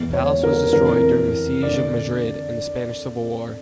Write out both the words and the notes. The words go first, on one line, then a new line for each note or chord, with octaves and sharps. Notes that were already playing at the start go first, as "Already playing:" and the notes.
The Palace was destroyed during the Siege of Madrid in the Spanish Civil War.
Already playing: E2 E3
C#5
A#4
F2 E3 A#4
D3 D5